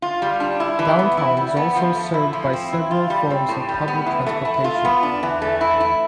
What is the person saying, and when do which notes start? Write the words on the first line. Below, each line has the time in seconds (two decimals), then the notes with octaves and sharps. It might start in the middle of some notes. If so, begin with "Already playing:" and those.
Downtown is also served by several forms of public transportation.
0.02 F4
0.22 G3
0.40 D4
0.60 E4
0.79 E3
0.99 B3
1.17 E4
1.37 G3
1.57 B3
1.76 F3
1.95 A3
2.14 E4
2.33 F3
2.53 C4
2.73 E4
2.91 F4
3.10 G3
3.30 C4
3.49 A2
3.69 G3
3.88 B3
4.06 E3
4.26 A3
4.45 E4
4.64 F4
4.85 B3
5.03 D4
5.23 E3
5.42 A3
5.61 E4
5.80 E4